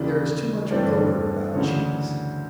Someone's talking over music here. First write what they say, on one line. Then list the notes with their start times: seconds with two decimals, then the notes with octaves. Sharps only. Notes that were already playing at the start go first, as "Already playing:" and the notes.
There is too much odour about cheese.
Already playing: D#2 C#3 E3 D5
0.70 G2 E3 A3 C4 D5
1.54 D2 C#3 E3 C#5